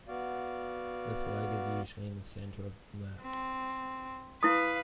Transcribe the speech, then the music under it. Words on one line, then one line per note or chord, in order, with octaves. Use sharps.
The flag is usually in the center of the map.
B3 F#4 D5 F5
C4
E4 B4 F5 D#6